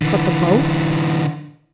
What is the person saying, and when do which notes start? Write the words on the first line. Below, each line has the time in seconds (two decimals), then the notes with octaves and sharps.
"But the boat?"
0.02 D3 E3